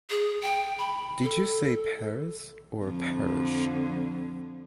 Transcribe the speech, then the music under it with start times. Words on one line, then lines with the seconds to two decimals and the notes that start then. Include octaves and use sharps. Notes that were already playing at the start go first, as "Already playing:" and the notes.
Did you say Paris or Parish?
0.10 G#4
0.42 G5
0.78 B5
1.23 A4
2.84 F2 D3